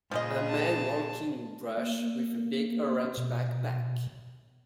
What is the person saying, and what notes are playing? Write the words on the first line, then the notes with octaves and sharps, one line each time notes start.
A man walking in brush with a big orange backpack.
A#2 C#3 F3 G#3 G#4 D#5
A5
A#3
B2